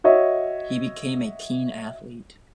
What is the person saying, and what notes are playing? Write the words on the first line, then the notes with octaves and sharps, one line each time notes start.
He became a keen athlete.
F#4 C#5 D#5 E5